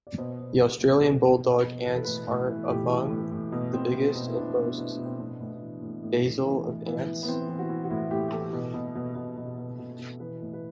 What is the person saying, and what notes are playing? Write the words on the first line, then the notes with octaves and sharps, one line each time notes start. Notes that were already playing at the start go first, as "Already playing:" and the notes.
The Australian bulldog ants are among the biggest and most basal of ants.
D5
B2 C5
B2
B2
B2
B2
B2
B2
B2
E3 B4
A4
A2 B4
A2
E3
A2 G4
E3
A2
A2
B2
B2 C4
B2
B2 B3
E4
B2 D4
B2
B2 E4
D4
B2
C4
A2 D4
A2
E3
A2
A2
A2
E3
A2
E3 B3
E3
B3
E3 C4
E3
F#4
E3 E4
F#4
A2 E4
A2 G4
G4
E3 A4
B2
B2
B2
B2
B2
B2
B2
B2
E3 B4
A2
B4